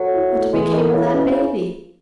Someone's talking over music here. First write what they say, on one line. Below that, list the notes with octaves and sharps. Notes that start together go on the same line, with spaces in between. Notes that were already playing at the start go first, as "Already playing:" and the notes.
What became of that baby?
Already playing: F#3 A4
E4
A3
E3 G#3
D#3 A4
C#3 E4
B2 C#4
C#3